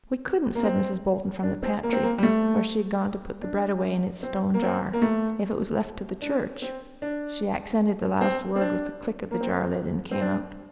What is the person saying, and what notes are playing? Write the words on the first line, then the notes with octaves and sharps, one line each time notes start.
"We couldn't," said Mrs. Bolton from the pantry, where she had gone to put the bread away in its stone jar, "if it was left to the church." She accented the last word with the click of the jar lid, and came out.
A#3
C4
D4
C4
A#3
C4
A#3
G3
A3
D4
C4
A#3
C4
A#3
A3
D4
C4
D4
C4
C4
D4
A#3
C4
C4
D4